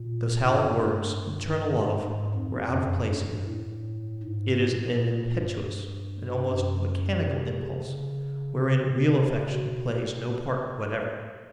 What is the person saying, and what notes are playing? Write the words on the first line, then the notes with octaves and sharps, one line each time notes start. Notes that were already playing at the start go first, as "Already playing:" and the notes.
Those hallowed words, maternal love, were out of place here: it is an impetuous, an almost mechanical impulse, wherein real affection plays no part whatever.
Already playing: A#2
G2
G2
G#2
F2
F#2
G2
A2
G#2
A2
A#2
G2
F#2
C3
C#3
C3
C#3
B2